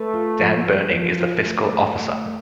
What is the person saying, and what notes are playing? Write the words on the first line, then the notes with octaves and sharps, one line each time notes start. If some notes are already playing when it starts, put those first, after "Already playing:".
Dan Berning is the fiscal officer.
Already playing: A3 B4
F4
F3
B4
F3
F4
A3
A3
A3
A3